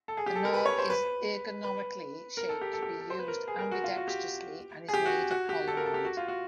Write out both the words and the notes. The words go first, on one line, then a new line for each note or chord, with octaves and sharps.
The knob is ergonomically shaped to be used ambidextrously and is made of polyamide.
A4
G#4
G4
A4
A#4
B4
C#5
C5
B4
B4
A#4
A4
G4
A4
G4
A4
C5
B4
A#4
G#4
A#4
F#4
F4
F#4
G4
G#4
G4
F#4
F#4
G4
A4
A#4
A4
G4
F#4
F4
F#4